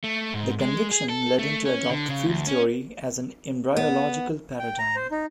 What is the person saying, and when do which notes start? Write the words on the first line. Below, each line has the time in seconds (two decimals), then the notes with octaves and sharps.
This conviction led him to adopt field theory as an embryological paradigm.
0.04 A3
0.34 G#2
0.61 G#3
0.91 G#4
1.09 A4
1.39 A3
1.65 C#4
1.90 D3
2.09 C#3
2.26 D2
2.47 C#4
3.76 B3
4.59 G5
4.79 A#5
4.96 C5
5.11 D#4